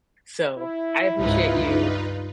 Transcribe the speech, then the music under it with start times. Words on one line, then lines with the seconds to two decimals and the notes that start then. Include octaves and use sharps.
So, I appreciate you.
0.58 E4
1.16 C#2 G#2 D#4 F4 B4
1.58 G2